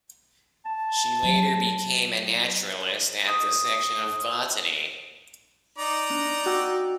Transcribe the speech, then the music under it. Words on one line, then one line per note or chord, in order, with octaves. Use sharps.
She later became a naturalist at the Section of Botany.
A5
F#3
D#6
D#4 D5 A#5
D4
F#4 G5 E6